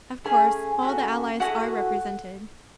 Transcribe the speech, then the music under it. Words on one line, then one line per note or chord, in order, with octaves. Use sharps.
Of course, all the allies are represented.
A3 C#4 G#4 G#5
A3 C#4 F#4
A3 C#4 E4 F#4 G#4 F#5